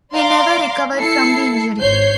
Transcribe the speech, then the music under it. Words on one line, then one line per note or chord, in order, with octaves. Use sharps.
He never recovered from the injury.
D5 F5 A#5 C6 D6
E4 A4 C7 C#7
G#1 C5 C#5 G6 C7